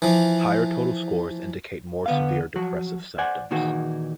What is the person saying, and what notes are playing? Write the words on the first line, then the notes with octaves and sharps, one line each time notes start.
Higher total scores indicate more severe depressive symptoms.
E3 F3
D3 B3 F5
F3 F#3 F#4
C5 D5 F#5 G#5
A#2 D#3 E3 F#4 G#4